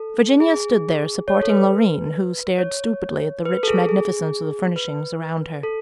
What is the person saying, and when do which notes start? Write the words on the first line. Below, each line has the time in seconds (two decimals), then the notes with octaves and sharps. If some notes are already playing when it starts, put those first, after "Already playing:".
Virginia stood there supporting Loreen, who stared stupidly at the rich magnificence of the furnishings around her.
Already playing: A4
0.40 G#4
1.28 C#5
1.43 A4
1.49 B4
2.58 C#5
3.45 B4
3.63 A4
3.67 G#4
3.89 G#4
4.76 B4
5.63 A4